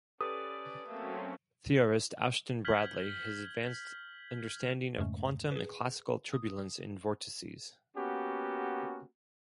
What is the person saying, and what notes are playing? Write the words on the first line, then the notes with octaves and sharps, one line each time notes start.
Theorist Ashton Bradley has advanced understanding of quantum and classical turbulence and vortices.
C#4 G4 A4 B4 D5 D#6
F#3 A3 A#3 C4 C#4
F6 G6 G#6 B6 F#7 G7
F2 G#2 C#3 G#3 A3 C#4
G#4 B4
D#6
A#3 B3 C#4 F#4 G4